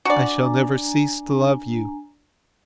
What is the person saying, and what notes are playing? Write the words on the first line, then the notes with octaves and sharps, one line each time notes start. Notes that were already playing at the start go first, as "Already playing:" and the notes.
I shall never cease to love you....
D4 F#4 D5 G#5 A#5